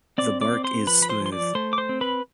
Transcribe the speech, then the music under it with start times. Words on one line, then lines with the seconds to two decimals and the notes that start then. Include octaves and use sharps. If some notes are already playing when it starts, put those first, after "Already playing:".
The bark is smooth.
0.18 C4 D5 D6
0.41 D5 D6
0.53 C4
0.64 C5 C6
0.87 F3 B4 B5
1.02 B5
1.09 C5 C6
1.21 F3 C6
1.32 D5 D6
1.55 A3 C5 C6
1.73 D6
1.78 C5 C6
1.89 C4
2.01 B4 B5